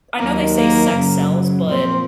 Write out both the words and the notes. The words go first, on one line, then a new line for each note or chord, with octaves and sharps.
I know they say "sex sells" but
D#2 D#3 F#3 A#3
A#3
F#2 C#3 F#3
A#2 F3 C4